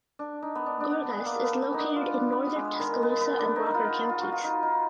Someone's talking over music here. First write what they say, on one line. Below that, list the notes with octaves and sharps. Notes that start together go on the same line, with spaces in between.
Gorgas is located in northern Tuscaloosa and Walker counties.
D4
D#4
B3
D4
D4
B3
B3
A#3
B3
B3
D4 D#4
F4
D4
B3
G#3
D#3
B3
B3
D4
D#4
D#4
F4
F4
F#4
F4
D#4
D#4